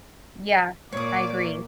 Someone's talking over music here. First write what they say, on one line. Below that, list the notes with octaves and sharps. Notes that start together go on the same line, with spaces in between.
Yeah, I agree.
A#2 C#5 D5 D6 D#6